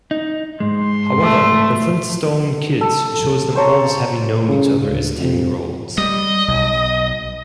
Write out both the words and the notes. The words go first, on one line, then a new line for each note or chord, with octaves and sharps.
However, "The Flintstone Kids" shows them all as having known each other as ten-year-olds.
D#4
G#2 G#3 C6
A3
A4
C5 C#5 A5 A#5
C#3
D2
F2
G3 D#5
B1